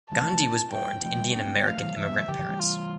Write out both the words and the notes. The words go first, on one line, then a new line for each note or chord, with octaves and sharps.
Gandhi was born to Indian American immigrant parents.
E3 G3 A5
F3 A3
F3 A3
G5
F3 A3 G5
G3 B3
B3 D4 G5
A3 C4
G3 B3
F3 A3 F5
F3
E3 G3
E3 G3 E5
G3 B3
E3 G3
D3 F3 G4
D3 F3
E3 G3
F4